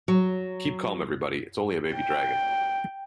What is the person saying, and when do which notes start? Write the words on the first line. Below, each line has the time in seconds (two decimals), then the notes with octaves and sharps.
Keep calm everybody, it's only a baby dragon.
0.08 F#3
1.94 G5